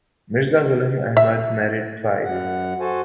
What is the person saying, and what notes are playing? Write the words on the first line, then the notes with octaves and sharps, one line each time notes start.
Mirza Ghulam Ahmad married twice.
E5
F#2 F#5
F#4 A4 C5 G#5 A5